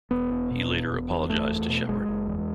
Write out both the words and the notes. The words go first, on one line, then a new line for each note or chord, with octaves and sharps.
He later apologised to Sheppard.
E1 B3
E2
B2
E1
E1
E2
F#1 A3
E2
B2
F#1 G#3
F#1
E2